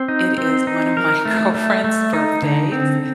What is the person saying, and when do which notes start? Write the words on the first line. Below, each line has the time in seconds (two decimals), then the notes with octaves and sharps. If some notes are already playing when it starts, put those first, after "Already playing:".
It is one of my girlfriend's birthdays.
Already playing: C4
0.08 D#4
0.38 C4
0.67 D#4
0.97 A#4
1.25 A3
1.55 A3
1.84 A3
2.13 D#4
2.42 D3
2.72 C4